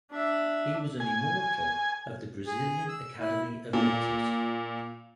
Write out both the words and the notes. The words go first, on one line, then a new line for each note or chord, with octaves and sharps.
He was an "immortal" of the Brazilian Academy of Letters.
D4 E5
G#5
G#4
E6
E4
A#2